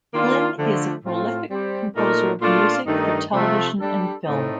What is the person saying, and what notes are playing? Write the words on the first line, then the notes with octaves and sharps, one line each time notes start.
Glynn is a prolific composer of music for television and film.
D#3 A#3 D4 F4
D3 F3 A3
A2 A3 C4 F4
G3 C4 G4
A#2 A3 D#4 A#4
A#2 A3 D4 F4
G2 D#3 A3 D#4
C3 F3 A3
G3 D4 A4
A2 A3 C4 D#4